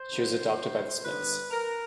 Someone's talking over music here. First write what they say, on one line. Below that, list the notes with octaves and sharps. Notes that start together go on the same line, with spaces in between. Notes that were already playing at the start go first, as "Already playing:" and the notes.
She was adopted by the Smiths.
Already playing: C5
C3 D#3 F#3 B3
G2 D3 G3 B3 B4
A#4